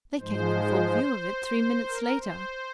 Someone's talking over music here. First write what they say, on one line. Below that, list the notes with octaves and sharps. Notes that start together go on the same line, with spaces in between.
They came in full view of it three minutes later.
G#2 F3 G#3 C5
A#4
C5